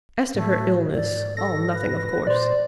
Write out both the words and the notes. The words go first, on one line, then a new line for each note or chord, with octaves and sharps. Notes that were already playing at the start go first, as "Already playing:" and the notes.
As to her illness, all nothing of course.
A2 A3
G#2 D5
A4 A#6
B4
A#2 C5 D5